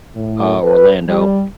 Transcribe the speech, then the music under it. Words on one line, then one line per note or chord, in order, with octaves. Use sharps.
uh, Orlando.
A2
B4
G3